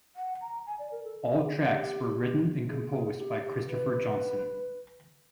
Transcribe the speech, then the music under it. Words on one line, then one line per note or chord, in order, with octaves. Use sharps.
All tracks were written and composed by Christofer Johnsson.
F#5
A#5
G#5
D5
A#4
A4
G#4
G4
G#4
G#4
G4
G4
B4